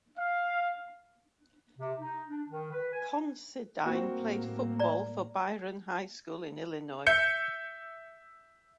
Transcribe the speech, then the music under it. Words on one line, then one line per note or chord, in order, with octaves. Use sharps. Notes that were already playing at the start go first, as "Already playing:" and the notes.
Considine played football for Byron High School in Illinois.
F5
C3
D#4
D4
D#3
B4
G#5
A2 G3 A#3 C4 F#4
D5 A#5
E5 G6 C#7